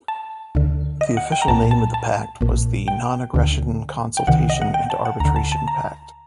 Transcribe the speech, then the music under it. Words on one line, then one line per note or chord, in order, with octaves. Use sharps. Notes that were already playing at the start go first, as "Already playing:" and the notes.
The official name of the pact was the Non-Aggression, Consultation and Arbitration pact.
A5
D2 D3
D#5
F#5
G5
A#5
C2 A#2 A5
A5
A5
A#1 A#2
G5
D2 D3
G5
C2 C3 D#3 F#5
D#5
F#5
G5
A5
F#5
D2 D3 A#5
A5
A5
A#5